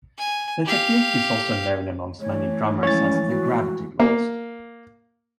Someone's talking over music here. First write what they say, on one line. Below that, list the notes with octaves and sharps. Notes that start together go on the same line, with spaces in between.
The technique is also known amongst many drummers as the gravity blast.
G#5
G4 F5
E3 A3 C#5
F3 G#3 C#4 E4 C#5 A6
F#4
A#3